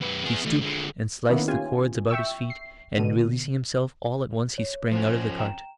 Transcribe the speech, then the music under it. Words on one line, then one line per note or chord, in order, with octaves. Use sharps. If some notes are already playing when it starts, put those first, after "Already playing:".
He stooped and sliced the cords about his feet, and, releasing himself, all at once he sprang out of the cart.
F#2 B4
B3 G#4
E3 A3
D3 G#3
D#3 A#3 B3 C#4 E4
C#4 F4 G4 G#5
E5 G5 C#6 E6
C7
B2 D3 D#7
C#5
F3 C#4 C5
G5 A#5 E7